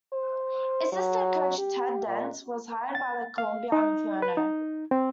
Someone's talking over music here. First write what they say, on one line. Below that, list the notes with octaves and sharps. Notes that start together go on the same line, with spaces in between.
Assistant coach Ted Dent was hired by the Columbia Inferno.
C5
F#3
G4
A#2
A6
F5
D#4
B4
D#4
C4